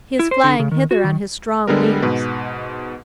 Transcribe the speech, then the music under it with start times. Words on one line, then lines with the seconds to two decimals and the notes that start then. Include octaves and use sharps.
"He is flying hither on his strong wings."
0.19 E4
0.31 C5
0.44 D3
0.60 C#3
0.71 D#3
0.91 F#4
1.04 D#3
1.67 D3 G3 G#3 B3 A#4
2.02 G#2 B2 B4